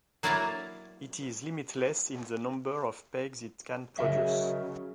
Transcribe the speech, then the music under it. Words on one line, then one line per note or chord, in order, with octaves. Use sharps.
It is limitless in the number of pegs it can produce.
F#3 A#3 E4 D5 G#5 A#5
C#3 F#3 A#4 D#5 E5